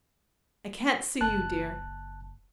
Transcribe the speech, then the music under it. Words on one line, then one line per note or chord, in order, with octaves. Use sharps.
I can't see you, dear!
F#1 A5 F#6